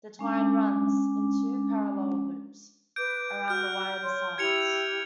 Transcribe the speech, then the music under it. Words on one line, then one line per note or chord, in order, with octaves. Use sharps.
The twine runs, in two parallel loops, around the wider sides.
G#3 C#4 D4 D6
B4 D6 G6 D7
F#4 F6 G6
C#5 C6
E4 G4 G#6 C#7 F7